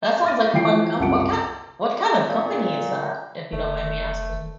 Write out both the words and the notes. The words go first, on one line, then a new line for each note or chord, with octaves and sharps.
that sounds like a fun comp what kind what kind of company is that, if you don't mind me asking?
D6 F6 A6 A#6 D#7
E3 F3 E4 G5 C7 D7
F#1 C2 F4 F#5 C#7 D7
A#2
F1 A3